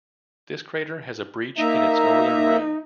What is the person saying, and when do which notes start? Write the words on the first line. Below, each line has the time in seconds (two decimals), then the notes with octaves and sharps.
This crater has a breach in its northern rim.
1.58 A#3 D#4 E5 A#5